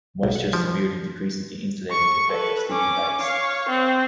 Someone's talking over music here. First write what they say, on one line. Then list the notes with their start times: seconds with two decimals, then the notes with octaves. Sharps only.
Moisture severely decreases the insulating effect of sleeping bags.
0.23 B1
0.36 F#5
0.53 F3
0.68 F3
1.91 C#6
2.32 A4 B4
2.69 C#4 D6
3.21 C#5 F5
3.68 C4